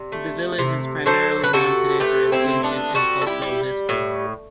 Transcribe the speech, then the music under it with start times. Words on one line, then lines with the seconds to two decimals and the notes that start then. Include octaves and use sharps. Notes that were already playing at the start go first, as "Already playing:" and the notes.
The village is primarily known today for its ancient and cultural history.
Already playing: C3 D5
0.12 A3
0.59 C3
1.06 F#3 A4 C5
1.44 B4
1.53 C3 F#4 A4
2.00 A3 G4 B4
2.32 C4 E4
2.48 C3
2.63 B3 D4
2.94 G3 F#4 A4
3.21 A4
3.26 E4 G4
3.42 G3
3.89 A2